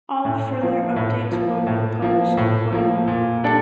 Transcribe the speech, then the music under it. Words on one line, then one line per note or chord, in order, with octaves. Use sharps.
All further updates will be published accordingly.
A2
F3 A#3
A2
F3 A#3
A2
F3 A#3
A2
F3 A#3
A#2
G3 D4 A4 D5